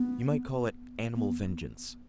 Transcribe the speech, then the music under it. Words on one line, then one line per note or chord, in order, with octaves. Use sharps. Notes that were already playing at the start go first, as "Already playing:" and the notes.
You might call it animal vengeance.
Already playing: B3
B3